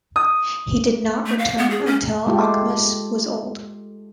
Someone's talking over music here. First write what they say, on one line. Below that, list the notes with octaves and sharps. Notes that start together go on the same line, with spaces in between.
He did not return until Ochimus was old.
D#6
A3
F5
B3
G#4
C#4
G#3 A3 F4 G4 A4